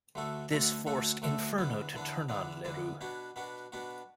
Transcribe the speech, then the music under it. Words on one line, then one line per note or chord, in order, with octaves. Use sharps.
This forced Inferno to turn on LeRoux.
D2 D3 A3 F#4 A4
D2 D3 A3 F#4 A4
D2 D3 A3 F#4 A4
D2 D3 A3 F#4 A4
E2 D3 B3 D4
E2 D3 B3 D4
E2 D3 B3 D4
E2 D3 B3 D4
B2 B3 D4 F#4
B2 B3 D4 F#4
B2 B3 D4 F#4